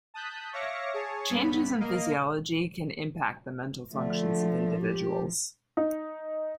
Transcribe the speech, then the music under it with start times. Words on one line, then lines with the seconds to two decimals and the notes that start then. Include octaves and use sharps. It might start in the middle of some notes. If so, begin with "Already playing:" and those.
Changes in physiology can impact the mental functions of individuals.
0.14 A5 D#6 F#6 G6 B6
0.53 C#5 E5 F5 D6 A#6 C#7
0.94 G#4 C#5 A5
1.30 G2 B3 B5
1.80 A#3 A#4 D#5 F5
3.92 D3 F3 A3
4.80 G4
5.77 D#4